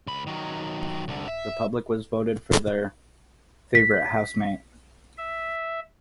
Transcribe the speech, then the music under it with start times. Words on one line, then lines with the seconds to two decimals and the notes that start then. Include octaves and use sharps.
The public was voted for their favourite housemate.
0.07 C#2 B5
0.27 D#3 F#3
1.08 C2 D3
1.28 E5
3.75 B6
5.18 E5